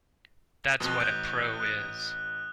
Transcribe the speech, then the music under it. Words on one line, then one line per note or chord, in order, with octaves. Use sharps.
That's what a pro is.
F2 B2 D#6 F#6 G7
A1 G6
F#6